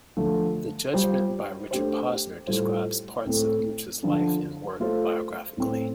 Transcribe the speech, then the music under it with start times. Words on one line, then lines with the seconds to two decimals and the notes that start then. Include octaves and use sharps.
The judgment by Richard Posner describes parts of Mucha's life and work biographically.
0.17 D3 F3 A3
0.94 G3 F4 C5
1.71 A3 D4 G4 C5
2.47 A2 G3 F4 A4 C5
3.25 A2 A3 C4 A4
4.03 D3 F3 D4
4.80 A3 F4 A4 C5
5.57 A2 A3 C4